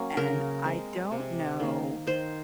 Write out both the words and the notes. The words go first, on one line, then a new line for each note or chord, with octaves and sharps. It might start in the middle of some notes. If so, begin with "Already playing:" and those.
and I don't know
Already playing: F#3 A#3 C#4
C#3 A#4
G#3 C4
C3
D#3 A#3
D#3 C5